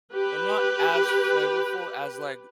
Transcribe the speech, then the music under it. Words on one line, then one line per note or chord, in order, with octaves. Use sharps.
they're not as flavorful as, like,
G4 B4